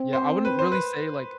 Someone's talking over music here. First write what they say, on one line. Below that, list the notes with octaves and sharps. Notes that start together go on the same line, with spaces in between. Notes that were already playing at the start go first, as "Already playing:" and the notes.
Yeah, I wouldn't really say, like,
Already playing: C4
C5
B4
C5
B4